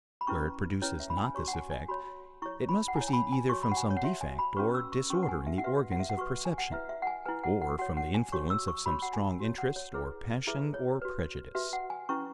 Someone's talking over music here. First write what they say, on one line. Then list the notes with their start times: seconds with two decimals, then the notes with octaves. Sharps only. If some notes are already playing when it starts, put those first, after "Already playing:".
Where it produces not this effect, it must proceed either from some defect or disorder in the organs of perception, or from the influence of some strong interest, or passion, or prejudice.
0.21 B5
0.27 C#4 E4 B4 C#6
0.82 C#4 E4 B4 C#5
1.00 E5
1.10 B5
1.17 G#5
1.35 F#4 C#5 C#6
1.48 F#5
1.54 G#5
1.71 G#5
1.88 F#4 C#5 B5
2.42 E4 C#5 C#6
2.69 B5
2.88 F#5
2.95 E4 G#5
3.01 C#5
3.08 G#5
3.13 B5
3.32 G#5
3.49 F#4 C#5 C#6
3.63 B5
3.72 F#5
3.77 G#5
3.91 C#5
3.97 F#5
4.03 F#4 C#5 E5
4.21 G#5
4.39 B5
4.57 C#4 F#4 B4 C#6
4.74 E6
4.92 C#6
5.10 C#4 F#4 B4 C#6
5.23 F#5
5.29 G#5
5.47 E5
5.58 F#5
5.64 F#4 B4 E5
5.92 F#5
6.00 E5
6.09 F#5
6.17 F#4 B4 C#6
6.45 G#5
6.58 F#5
6.72 E4 B4 E5
6.89 E5
7.02 F#5
7.07 G#5
7.25 E4 B4 G#5
7.44 F#5
7.62 F#5
7.78 F#4 C#5 F#5
7.97 F#5
8.14 G#5
8.32 F#4 C#5 C#6
8.50 E6
8.68 C#6
8.86 F#4 C#5 B5
9.02 F#5
9.13 G#5
9.40 F#4 C#5
9.58 F#5
9.76 C#5
9.94 E4 G#4 B4
10.47 E4 G#4 B4 E5
10.74 C#5
11.02 F#4 B4
11.55 F#4 B4 E5
11.73 F#5
11.90 G#5
12.09 C#4 E4 B4 C#6